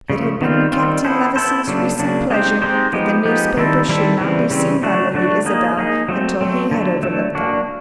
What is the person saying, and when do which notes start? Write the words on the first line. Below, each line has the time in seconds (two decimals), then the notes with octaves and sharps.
It had been Captain Levison's recent pleasure that the newspapers should not be seen by Lady Isabel until he had over-looked them.
0.10 C#3 F3 A3
0.41 D#3 G3 C4 F4
0.73 D#3 G3 C4 F4
1.05 B3 E4 A4 C5
1.36 B3 E4 A4 C5
1.68 C#3 F#3 A#3 D4
1.99 C#3 F#3 A#3 D4
2.30 G#3 C4 D#4 G4 C5
2.62 G#3 C4 D#4 G4 C5
2.93 F3 G#3 B3 D#4 G4
3.25 F3 G#3 B3 D#4 G4
3.57 D#3 G3 C4 E4 A4
3.88 D#3 G3 C4 E4 A4
4.20 C#3 E3 G3 C4
4.50 C#3 E3 G3 C4
4.82 D3 F#3 A3 D4 F#4
5.14 D3 F#3 A3 D4 F#4
5.46 A#3 D#4 G#4
5.77 A#3 D#4 G#4
6.09 F#3 A3 C4
6.41 F#3 A3 C4
6.71 D3 F#3 A3
7.03 D3 F#3 A3
7.35 A#3 D4 F#4